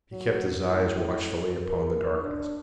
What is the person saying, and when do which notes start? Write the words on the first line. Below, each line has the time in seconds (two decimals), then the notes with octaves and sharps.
He kept his eyes watchfully upon the darkness.
0.12 F#3
0.69 A2
1.66 A#4
2.22 D4